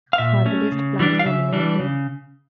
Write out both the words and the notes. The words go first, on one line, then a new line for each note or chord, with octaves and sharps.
Herbalist, plants women, writer.
F5
A#2 E5
A3 C#4
C#3
E3 G3 D4
F5
C#3 E5
E3 G3 D4
C#3